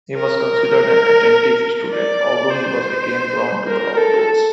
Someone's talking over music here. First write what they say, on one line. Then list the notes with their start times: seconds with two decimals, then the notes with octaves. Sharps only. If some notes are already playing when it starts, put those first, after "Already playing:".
He was considered an attentive student, although he was again drawn to the outdoors.
0.15 A#4
1.92 D5
2.50 C5
3.69 A#4
3.97 A4